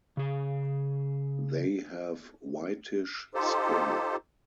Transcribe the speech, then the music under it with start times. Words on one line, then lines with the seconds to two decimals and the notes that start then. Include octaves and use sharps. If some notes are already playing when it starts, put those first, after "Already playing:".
They have whitish skin.
0.17 C#3 G#4
3.34 D#4 F4 G4 A4 C5